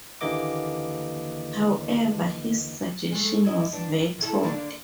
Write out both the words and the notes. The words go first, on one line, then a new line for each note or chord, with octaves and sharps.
However, his suggestion was vetoed.
D#2 D3 E3 A#3 D#5 D6
G#3 A3
E4 D#5
G2 E3 D4
D#3 E4 A4
D3 A#3 D4